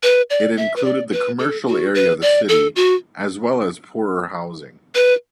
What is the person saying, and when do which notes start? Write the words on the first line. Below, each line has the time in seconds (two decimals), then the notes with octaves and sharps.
It included the commercial area of the city, as well as poorer housing.
0.03 B4
0.30 D5
0.57 E5
0.76 B4
0.85 D5
1.12 B4
1.39 A4
1.67 F#4
1.94 B4
2.22 D5
2.49 A4
2.76 F#4
4.95 B4